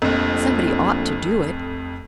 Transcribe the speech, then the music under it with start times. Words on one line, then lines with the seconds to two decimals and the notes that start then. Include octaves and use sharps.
Somebody ought to do it.
0.02 F1 A#1 F2